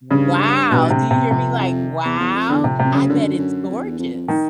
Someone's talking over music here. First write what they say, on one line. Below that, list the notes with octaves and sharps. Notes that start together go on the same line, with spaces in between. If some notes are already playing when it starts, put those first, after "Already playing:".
Wow! Do you hear me? Like, wow, I bet it's gorgeous.
G2 C#3
B2
C3
C3
F2 C3
F2
E2
E2
F2
E2 D3
F2 C3
C3
F2
F#2
C#3
F#2 D3
F#2
F2
E2
F2
F2
D#3